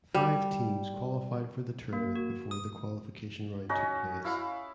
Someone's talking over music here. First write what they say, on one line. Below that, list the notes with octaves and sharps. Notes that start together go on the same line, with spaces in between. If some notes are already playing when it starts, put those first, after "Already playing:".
Five teams qualified for the tournament before the qualification round took place.
G3
A#3
F#4
D#6
C#4 D#4 F#4 G#4
E4 F5 B5